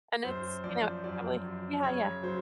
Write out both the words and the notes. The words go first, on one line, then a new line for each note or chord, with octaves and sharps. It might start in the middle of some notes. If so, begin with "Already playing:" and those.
And it's, you know, probably Yeah, yeah.
F#2 C5
F3 D5
F#2 D5
F#2
C#3 C#5
F#3 C5